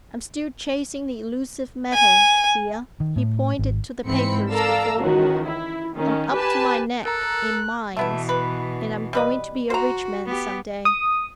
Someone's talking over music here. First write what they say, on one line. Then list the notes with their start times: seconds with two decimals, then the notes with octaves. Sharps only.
"I'm still chasing the elusive metal, Thea,"--he pointed to the papers before him,--"I'm up to my neck in mines, and I'm going to be a rich man some day."
1.94 G#5
3.00 D#3
3.16 A2
3.59 G#1
4.07 G#2 E3 C4 B5 C#7
4.50 A4 A#4 D5 F5 A#5 E6
5.00 C#2 D#3 E3 F#4
5.47 E4
5.95 D#3 C#4
6.34 G4 B4 G#5 A5
7.05 A4 A#4 A#5 F#6
7.97 B2 E3 A3 B3 E4
8.29 B4
9.13 G3 B4 D#5
9.70 F#4 C5 A#5
10.26 B3 G4
10.85 D#6